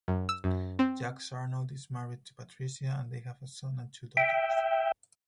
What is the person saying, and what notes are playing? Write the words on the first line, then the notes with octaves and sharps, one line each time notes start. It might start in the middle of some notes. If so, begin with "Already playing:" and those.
Jacques Arnold is married to Patricia, and they have a son and two daughters.
F#2
E6
F#2
C4
E5 G5